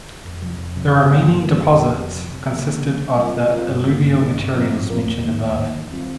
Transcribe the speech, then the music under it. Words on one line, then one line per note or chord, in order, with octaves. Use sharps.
The remaining deposits consisted of the alluvial materials mentioned above.
F2
C3 F3
F2
C3 F3
G2
D#3 G3 A#3
G2
D#3 G3 A#3
F2
C3 F3
F2
C3 F3
C3
F3 A#3
C3
F3 A#3
C3
G3 C4 F4 A#4
C3
G3 C4 F4 A#4
G2
D#3 A#3
G2
D#3 A#3
G2
F3 C4 F4 A#4
G2
F3 C4 F4 A#4
D#2
D#3 A#3
D#2
D#3 A#3
D#3
G3 C4 F4